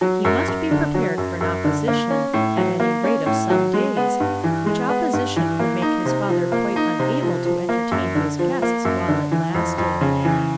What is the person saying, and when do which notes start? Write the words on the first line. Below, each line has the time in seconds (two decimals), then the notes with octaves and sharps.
He must be prepared for an opposition, at any rate of some days, which opposition would make his father quite unable to entertain his guests while it lasted.
0.01 F#3
0.25 F#2
0.48 F#2
0.71 D3
0.94 F#3
1.18 F#2
1.41 F#2
1.64 D3
1.88 A#3
2.10 C#4
2.34 A2
2.57 F#3
2.80 A#3
3.04 C#4
3.26 A2
3.50 F#3
3.73 G#3
3.97 B3
4.20 G2
4.44 E3
4.66 G#3
4.89 B3
5.13 G2
5.36 E3
5.59 A#3
5.82 D#4
6.05 C3
6.29 F3
6.52 A#3
6.76 D#4
6.99 C3
7.22 F3
7.45 F3
7.69 A#3
7.91 F#2
8.15 D3
8.39 F3
8.62 A#3
8.85 F#2
9.08 D3
9.31 E3
9.54 F2
9.78 F2
10.01 C#3
10.25 E3